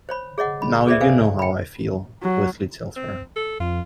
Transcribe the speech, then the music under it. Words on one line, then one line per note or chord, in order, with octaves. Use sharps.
"Now you know how I feel," Wesley tells her.
C5 C#5 B5
G#4 C#5 D#5 F#5
B5
G#4 A4 B4 C5 D5 E5
A4 B4 C5 F5 G#5
G5 B5
F#3
C4
A4
F2 F4